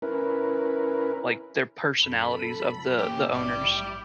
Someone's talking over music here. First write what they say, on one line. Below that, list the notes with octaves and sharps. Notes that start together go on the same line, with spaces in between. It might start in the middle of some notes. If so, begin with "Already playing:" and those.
like, their personalities of the the owners.
C#4 E4 A#4 B4
F#2 A4 B5
B1 E3 A#3 C#4 G4
A#1 G#2 G3 E4 D5